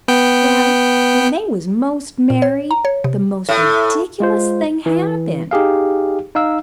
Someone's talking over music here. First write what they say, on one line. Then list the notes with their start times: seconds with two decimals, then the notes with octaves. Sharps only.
Well, when they was most married the most ridiculous thing happened.
0.08 B3 G5
2.30 A#2
2.42 C#5
2.71 A#5
2.85 C#5
3.04 C3
3.49 A2
4.20 G#3 F4 C5
4.86 E3
5.51 D#4 G4 G#4 F5
6.35 D#4 F5 E6